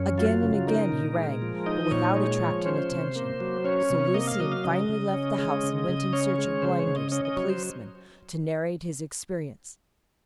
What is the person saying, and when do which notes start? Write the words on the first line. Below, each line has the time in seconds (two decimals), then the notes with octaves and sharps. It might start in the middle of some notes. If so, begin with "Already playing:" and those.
Again and again he rang, but without attracting attention; so Lucian finally left the house and went in search of Blinders, the policeman, to narrate his experience.
Already playing: F#2 C#4
0.18 F#3 F4
0.43 C#3
0.67 D#4 A#4
0.92 A#2
1.17 G#3
1.42 F3
1.66 D#4 D#5
1.91 A#2 C#5
2.17 G#3
2.41 F3
2.66 C#4 C5
2.91 C3
3.16 A#3
3.40 F#3
3.65 C#4 C#5
3.90 C3
4.14 A#3 D#5
4.27 F5
4.39 F#3 D#5
4.52 F5
4.64 C#3 D#5
4.89 C#3
5.14 C#4
5.38 G#3
5.63 C#3
5.89 C#3
6.13 C#4 C#5
6.38 G#3
6.62 C#3 C5
6.79 C#5
6.87 C#3
6.96 D#5
7.12 C#4 D#5
7.25 D#5
7.36 F#3 C#5
7.50 C5